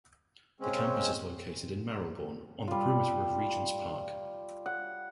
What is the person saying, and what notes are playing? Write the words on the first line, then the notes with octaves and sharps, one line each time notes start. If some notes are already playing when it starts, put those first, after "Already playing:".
The campus is located in Marylebone, on the perimeter of Regent's Park.
C#3 G#3 C4 C#4
G3 F4
F#5